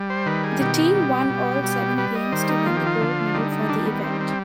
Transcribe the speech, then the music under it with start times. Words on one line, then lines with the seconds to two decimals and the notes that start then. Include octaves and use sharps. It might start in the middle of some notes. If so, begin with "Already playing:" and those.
The team won all seven games to win the gold medal for the event.
Already playing: G3
0.10 C5
0.26 D#3 B4
0.44 G#4
0.61 B2 G4
0.95 G3
1.29 B2
1.64 G3
1.98 G3 B4
2.15 D#5
2.32 D#3 C5
2.49 D#4
2.66 F3 F4
2.77 G4
2.87 F4
3.01 D3
3.35 G3 D#4
3.52 D#4
3.69 D#3 D4
3.86 B3
4.03 G3 C4
4.21 C4